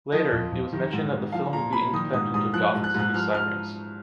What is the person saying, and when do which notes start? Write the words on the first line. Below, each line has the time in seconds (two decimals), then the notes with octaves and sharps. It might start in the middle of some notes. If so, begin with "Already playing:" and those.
Later, it was mentioned that the film will be independent of Gotham City Sirens.
0.12 F3 D#5
0.32 F2
0.52 F2
0.73 D#3
0.93 G#2
1.13 G#2
1.32 F3 F5
1.53 A#2 A#5
1.73 A#2 B5
1.93 D#3 D#6
2.13 G#2 D#6
2.34 G#2 D#6
2.54 F3 F#6
2.74 G#2
2.84 F#6
2.95 G#2 F#6
3.14 F3 F6
3.34 F6